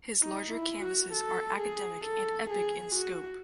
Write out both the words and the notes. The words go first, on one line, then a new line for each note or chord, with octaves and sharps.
His larger canvases are academic and epic in scope.
D#4
E4
F#4
A4
G#4
A4
G#4
F#4